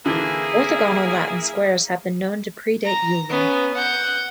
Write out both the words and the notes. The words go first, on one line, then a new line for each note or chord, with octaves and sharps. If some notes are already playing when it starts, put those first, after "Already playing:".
Orthogonal Latin squares have been known to predate Euler.
D3 E3 A#3 E4 G#4
A#5
B3 C#4
F#5 G6